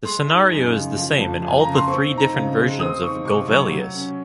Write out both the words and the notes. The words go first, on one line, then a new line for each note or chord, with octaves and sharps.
The scenario is the same in all the three different versions of "Golvellius".
G#3 C6
D#4
F#2
C#3
F3
F2
F2 G#5
C#3 A#5
C6
C4 C#6
D#4
A#5
C#3
G#3
C4 D#6
D#4 C#6
C3 C#6
F#3 C#6
F#3
C#4